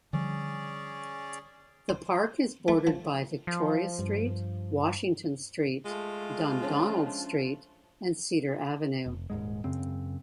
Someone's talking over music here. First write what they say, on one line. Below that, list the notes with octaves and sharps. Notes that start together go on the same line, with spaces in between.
The park is bordered by Victoria Street, Washington Street, Dundonald Street and Cedar Avenue.
D3 F3 G3 C#4 G#4 D5
C5
A3
F3
F3
G2
G#3 A3 F4
F3 C#4 D4
F1
D#1 G#2 G#3
F#2 C#3 C4